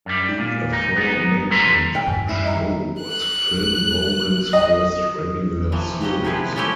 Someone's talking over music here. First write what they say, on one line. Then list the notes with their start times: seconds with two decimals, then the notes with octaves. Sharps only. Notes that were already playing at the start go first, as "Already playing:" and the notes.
The aforementioned show was Film Roman's first regular series.
0.06 F#2 G3
0.38 A#2
0.73 D#4
0.96 B3 D#4
1.50 C#2 D3 A4 B4 A#5 C6
1.95 G5
2.07 D2 G2 E3 G#5
2.29 F#2 G3 E4
2.44 D#5 E5 A#5
3.03 F#6
4.53 D#5
5.72 C3 E3 F3
6.01 C#3 F#3 G4 D#5
6.24 C3 F3 G#3 E4 G#4 B4
6.56 F3 A3 C#4 E4 F4 G4